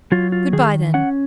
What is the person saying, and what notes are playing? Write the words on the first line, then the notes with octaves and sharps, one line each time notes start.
"Good-bye, then."
F#3 F4
F4
D#3 G#4
C#4 F#5